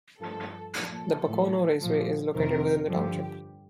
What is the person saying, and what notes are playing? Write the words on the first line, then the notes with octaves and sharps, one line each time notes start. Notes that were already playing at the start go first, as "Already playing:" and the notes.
The Pocono Raceway is located within the township.
G2 F3 A4
A#2 F3 A4
A2 F3
A#2 F3
F2 C3 D#3 A#4
G2 D3 F3 G4